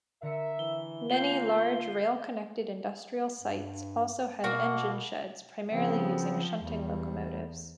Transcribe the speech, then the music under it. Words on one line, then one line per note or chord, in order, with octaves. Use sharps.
Many large rail connected industrial sites also had engine sheds primarily using shunting locomotives.
D3 A#4 E5 A#5 C#7
E3 G7
A#3 F4 G6 C7 G7
G2
B2 A#3 F#4
C#3 F3 B3 C4
E2 G3